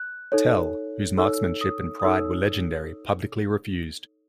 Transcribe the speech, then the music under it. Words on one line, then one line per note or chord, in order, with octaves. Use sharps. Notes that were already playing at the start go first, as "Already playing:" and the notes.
Tell, whose marksmanship and pride were legendary, publicly refused.
Already playing: F#6
D#4 A4 C#5
D#4 A4 C#5 E6
D#6
D#6
D#4 A4 C#5 E6